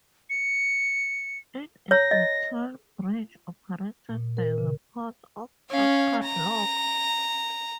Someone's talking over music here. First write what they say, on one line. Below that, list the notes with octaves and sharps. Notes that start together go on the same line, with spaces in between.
It is a toll bridge operated by the Port of Cascade Locks.
C#7
C#5 A#5 A#6
D#5
A#2
A#4
C#3
C#4 F5
A#5